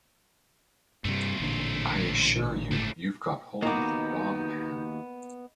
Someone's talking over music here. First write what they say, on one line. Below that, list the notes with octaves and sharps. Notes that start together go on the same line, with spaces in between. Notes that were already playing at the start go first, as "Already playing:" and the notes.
I assure you, you've got hold of the wrong man.
G2 C3 G3 A3 F4
A1 A#2 D3
G1 C#2 A2 A3
D#2 A#3 B3 D#4 F#4 D#5 A#5 D6